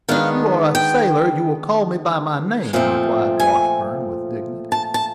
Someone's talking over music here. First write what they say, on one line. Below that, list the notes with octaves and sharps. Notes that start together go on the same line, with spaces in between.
"If you are a sailor, you will call me by my name," replied Washburn, with dignity.
D#3 G#3 B3 D4 F5
G5
A#2 F3 A3 C4
G#5
A5
A5